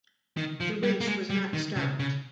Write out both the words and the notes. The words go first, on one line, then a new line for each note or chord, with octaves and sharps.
The race was not stopped.
D#3
F3
G3
A#3
G#3
G3
D#3
C#3
C#3